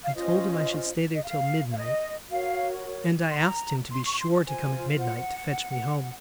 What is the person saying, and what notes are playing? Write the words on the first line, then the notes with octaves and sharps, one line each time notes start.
I told him I should stay there till midnight, and I asked him to be sure to come at midnight to fetch me home.
F5
C#4 F4 C5 D#5
D#5
F5
F5
D#5
F#4 A#4 C#5 F5
C6
A#5
C6
C#6
C6
F4 C5 G#5
F#5